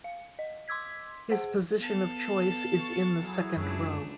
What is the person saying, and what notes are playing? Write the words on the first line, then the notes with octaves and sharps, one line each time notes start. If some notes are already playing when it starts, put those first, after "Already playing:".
His position of choice is in the second row.
F5
D#5
C6 D6 E6 G#6 B6
G#4 C5 F#5
B3 A4 F5
C#6 A6
F#3 E4 G#4
C#2 F#2 A3 D4